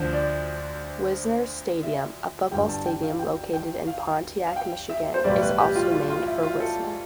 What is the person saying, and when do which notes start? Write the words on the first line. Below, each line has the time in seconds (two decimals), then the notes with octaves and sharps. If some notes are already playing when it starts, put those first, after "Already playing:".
Wisner Stadium, a football stadium located in Pontiac, Michigan, is also named for Wisner.
Already playing: D2 D3 F3 C5
0.13 D5
1.83 E5
2.51 G1 G2 D3 G3 G5
2.69 A5
2.86 G5
3.03 F5
3.19 G5
3.53 G5
3.87 F5
4.47 F5
4.56 G5
4.89 E5
5.14 C5
5.24 B1 A2 E3 G3 D5
5.41 B4
5.59 G4
5.76 F4
5.92 F4
6.10 F4
6.26 E4
6.43 F4
6.60 A4